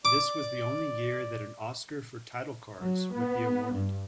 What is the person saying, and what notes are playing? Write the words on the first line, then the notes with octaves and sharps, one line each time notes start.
This was the only year that an Oscar for title cards would be awarded.
D5 D6
F#3
B3
G2